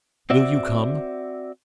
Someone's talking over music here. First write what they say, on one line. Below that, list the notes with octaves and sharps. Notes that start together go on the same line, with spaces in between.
Will you come?
C4 F#4 D5 E5